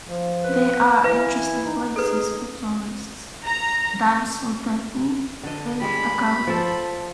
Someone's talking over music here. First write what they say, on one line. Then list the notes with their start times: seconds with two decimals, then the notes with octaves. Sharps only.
They are interesting places for tourists, dams Itaipu and Acaray.
0.07 F3
0.44 B4
0.72 B3
1.04 E3 E4 B4 F5
1.65 D#4
1.96 G#4 A4 B4
3.45 A#5
5.43 D3 D#5
5.81 G3 G#3 B5
6.47 F3 A4